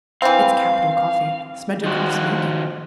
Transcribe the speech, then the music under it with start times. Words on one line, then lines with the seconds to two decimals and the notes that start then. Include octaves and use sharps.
It's capital coffee: Smerdyakov's making.
0.22 E3 C4 F5
1.84 D#3 F3 F#4